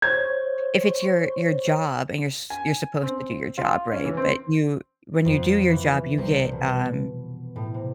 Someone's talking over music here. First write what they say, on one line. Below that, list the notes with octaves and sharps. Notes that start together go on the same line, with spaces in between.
if it's your your job, and you're s you're supposed to do your job, right? But, you when you do your job, you get, um,
C5 C#5 G#6
G#5
C4
F4
C#4
E3
C4
F2
E3
C2
B2
A2
C3